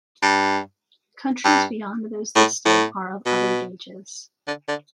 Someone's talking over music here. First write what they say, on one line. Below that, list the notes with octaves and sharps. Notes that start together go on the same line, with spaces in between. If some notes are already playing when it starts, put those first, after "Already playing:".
Countries beyond those listed are of other gauges.
G2
G2
A2
A2
B2
D3
D3